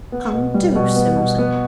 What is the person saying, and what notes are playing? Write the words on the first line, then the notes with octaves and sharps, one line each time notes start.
Come, do, Susan.
B3
B2
G3
B2
B3
B2
B3